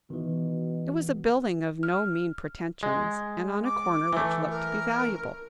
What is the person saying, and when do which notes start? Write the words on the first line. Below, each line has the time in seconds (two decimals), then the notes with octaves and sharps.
It was a building of no mean pretentions and on a corner which looked to be valuable.
0.10 B2 D#3 E3
1.83 F6
2.83 G#3
3.64 D6
4.13 E3 A3
4.50 A#4